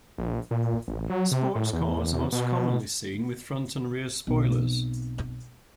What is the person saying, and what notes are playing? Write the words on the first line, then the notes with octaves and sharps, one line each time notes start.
Sports cars are most commonly seen with front and rear spoilers.
A#1
A#2
A1
F#3
C3
A2
E2
B2
B1 C4